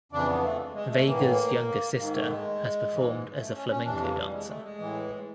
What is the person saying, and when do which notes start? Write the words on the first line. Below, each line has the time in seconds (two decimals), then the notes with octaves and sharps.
Vega's younger sister has performed as a flamenco dancer.
0.12 F2 C#3 E3 D4
0.28 B3
0.43 A3
0.74 G#3
0.90 A3
1.05 A2 E3 A#3
1.98 G#2 D#3 A#3
2.14 A3
2.29 G#3
2.92 G#2 E3
3.39 A3
3.54 C#4
3.69 C#4
3.85 F2 C3 E3 D4
4.01 A#3
4.16 G3
4.32 G#3
4.47 A3
4.64 G#3
4.79 A2 E3